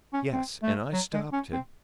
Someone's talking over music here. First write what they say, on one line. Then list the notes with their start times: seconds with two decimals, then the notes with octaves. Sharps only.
"Yes, and I stopped him."
0.13 C#4
0.33 C4
0.63 A3
0.93 F#3
1.13 G#3
1.33 C#4
1.53 C4